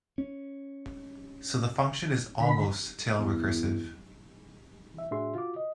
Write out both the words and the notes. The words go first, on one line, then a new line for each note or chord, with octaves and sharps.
So the function is "almost" tail-recursive.
C#4
D3 B5
E2
E3 E5
A2 D4 F#4 G#4 E5 C6
F4 F#4 D6
D#5